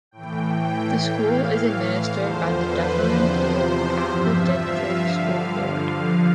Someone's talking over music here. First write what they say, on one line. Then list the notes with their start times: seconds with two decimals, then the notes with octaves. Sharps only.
The school is administered by the Dufferin-Peel Catholic District School Board.
0.11 A2 E3 G5
0.62 G5
1.11 A2 E3 F5
2.10 E2 D3 F3 C5
2.60 B4
3.09 E2 C3 F3 C5
4.08 G2 F3 E5
4.57 F5
5.07 G2 D3 F3
5.57 F5